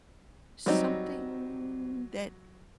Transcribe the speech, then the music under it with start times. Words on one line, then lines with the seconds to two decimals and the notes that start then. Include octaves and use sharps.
something that
0.66 F#3 G3 C4 D#4